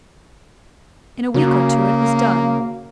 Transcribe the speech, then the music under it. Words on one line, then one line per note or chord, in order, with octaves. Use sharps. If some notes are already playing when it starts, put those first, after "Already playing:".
In a week or two it was done.
C#3 F#3 A#3